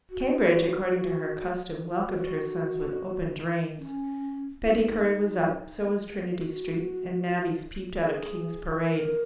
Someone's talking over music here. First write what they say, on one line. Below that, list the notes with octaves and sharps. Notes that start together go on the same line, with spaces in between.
Cambridge, according to her custom, welcomed her sons with open drains. Pettycury was up, so was Trinity Street, and navvies peeped out of King's Parade.
F#4
G#4
F#4
F#4
C#4
F4
D#4
F#4
G#4
A#4